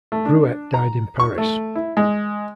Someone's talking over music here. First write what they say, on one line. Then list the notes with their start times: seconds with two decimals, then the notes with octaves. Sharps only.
Ruwet died in Paris.
0.12 A3
0.25 D4
0.74 A#5
1.20 C#6
1.38 A3
1.75 E4
1.97 G#3